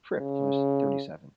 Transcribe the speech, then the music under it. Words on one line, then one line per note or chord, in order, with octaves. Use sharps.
Fripp was thirty-seven.
C#3